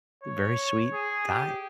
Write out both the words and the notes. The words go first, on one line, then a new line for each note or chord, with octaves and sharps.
very sweet guy.
C#5
G#4
G4